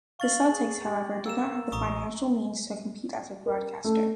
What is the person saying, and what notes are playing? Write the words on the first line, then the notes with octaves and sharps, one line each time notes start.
The Celtics, however, did not have the financial means to compete as a broadcaster.
F5 C#6 A6 F#7
G#4
G4
A#3 E6 E7
A1 A#5 C#6 D#6
A#4
A3